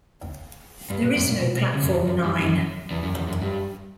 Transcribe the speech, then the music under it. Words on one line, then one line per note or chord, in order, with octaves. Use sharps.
There is no platform nine.
G2
A#2
F#2
A#2
B2
B2
C#3
F#2
E2
F#2
G2
F#2
E2
F#2
E2
F#2
G2